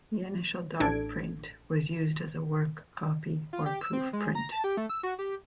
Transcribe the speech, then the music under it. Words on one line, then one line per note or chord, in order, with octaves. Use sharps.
The initial dark print was used as a work copy or proof print.
A1 D4 A4 G#6 D7
F4
G4
E6
C4
G#3
A#5
A5
G4
A3
E6
F#4
G4